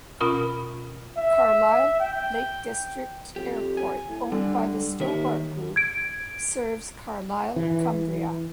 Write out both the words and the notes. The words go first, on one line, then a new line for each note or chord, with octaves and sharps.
Carlisle Lake District Airport, owned by the Stobart Group, serves Carlisle, Cumbria.
B2 C#4 F4 A#4 B5
E5
G5
F2 G4
G#5
A2
D3 G3
D#2 D#3 E5
G#6 D7
E3